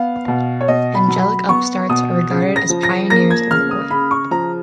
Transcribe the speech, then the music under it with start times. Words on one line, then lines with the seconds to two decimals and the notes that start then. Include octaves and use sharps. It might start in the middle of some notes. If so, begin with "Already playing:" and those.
Angelic Upstarts are regarded as pioneers of the Oi!
Already playing: B3 F5
0.28 B2
0.61 C#5
0.68 B2 D#5
0.95 B5
1.08 F#3
1.22 B5
1.49 B3 C#6
1.89 B2 D#6
2.30 C#3
2.56 A#6
2.70 F3
2.83 A#6
3.10 A#3 A#6
3.30 G#6
3.51 C#3 F6
3.71 D#6
3.91 C#3 B5
4.11 C#6
4.31 F3 A#5